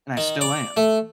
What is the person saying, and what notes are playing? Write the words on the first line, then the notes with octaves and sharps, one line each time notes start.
and I still am.
D#3
D5
A3